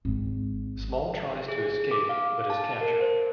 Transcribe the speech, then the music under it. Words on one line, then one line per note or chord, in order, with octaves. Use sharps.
Small tries to escape but is captured.
G#1
G#4
D6
F5
A5
A#4
C5